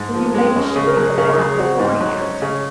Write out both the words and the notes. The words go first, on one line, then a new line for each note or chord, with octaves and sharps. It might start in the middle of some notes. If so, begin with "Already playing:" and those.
"You ladies should think of that beforehand."
Already playing: G#2 G#3
A#3
F3
A#3
G#3 C4
F#2 C#4
G#4
C#3
A#4
F#3 G#4
C#3 A#4
F#3 G#4
C4 F#4
G#2 D#4
F#3
C#4
C#3